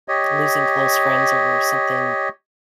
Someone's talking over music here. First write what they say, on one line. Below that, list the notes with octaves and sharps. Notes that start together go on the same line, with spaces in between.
losing close friends over something
G4 C#5 D#5